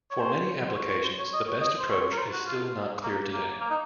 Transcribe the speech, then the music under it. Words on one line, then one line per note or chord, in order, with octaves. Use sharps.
For many applications, the best approach is still not clear today.
C#5
C5
C5
C#5
C#5
C5
C#5
D#5
C#5
D#5
C5
C#5
A#4
C5
F#4
F4
A#3
A#3
A#3
D#4